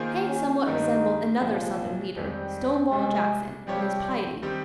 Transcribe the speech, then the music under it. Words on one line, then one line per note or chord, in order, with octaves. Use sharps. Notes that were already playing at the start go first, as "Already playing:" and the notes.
Haig somewhat resembled another Southern leader, Stonewall Jackson, in his piety.
Already playing: D#3 A#3 F4 G#4 C5
C#4
G2 D#3 G3 D#4
C2 A#2 F3 G#3 C#4
F2 D#3 G3 G#3 C4 G4
C2 C3 G3 G#3
C3 F3 G3 C4 G4 C#5
D#3 G3 C4 G4